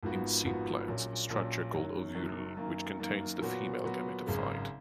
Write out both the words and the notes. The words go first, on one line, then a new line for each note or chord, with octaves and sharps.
In seed plants, a structure called ovule, which contains the female gametophyte.
G#1 G#2 F3 B3 F#4
G#1 G#2 F3 B3 F#4
A#1 A#2 F#3 C#4
A#1 A#2 F#3 C#4
F#1 F#2 D#3 F#3
F#1 F#2 D#3 F#3
F#2 D#3 A#3
F#2 D#3 A#3
A#2 F#3 B3 F#4
A#2 F#3 B3 F#4
G#1 F#2 C#3 G#3